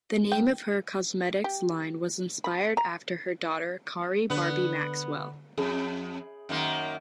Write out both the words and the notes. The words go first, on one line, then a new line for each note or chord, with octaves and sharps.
The name of her cosmetics line was inspired after her daughter Khari Barbie Maxwell.
G5
G4
B5
A#5
D3 B3 B4
F2 G#4
F#2 D#3 A#3